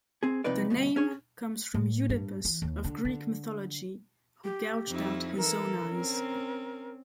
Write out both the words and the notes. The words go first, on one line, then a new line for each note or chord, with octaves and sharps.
The name comes from Oedipus of Greek mythology, who gouged out his own eyes.
C4 G#4
C2 F2 C3 D#4 B4 D5
D2 G2 B2
C#4 G#4 C#5
A2
G2
E3
D#2
D3
D3
G4
F2 D#4 E4
E3 A4 A#4
C4 C#4